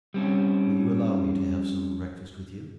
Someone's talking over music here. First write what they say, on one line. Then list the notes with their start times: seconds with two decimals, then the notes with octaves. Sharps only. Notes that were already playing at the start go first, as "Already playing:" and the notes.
"Will you allow me to have some breakfast with you?"
0.14 G3 C4 C#4